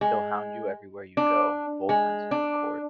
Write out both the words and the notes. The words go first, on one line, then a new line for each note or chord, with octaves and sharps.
He'll hound you everywhere you go, both ends of the court.
G#3
D4
G#3
D4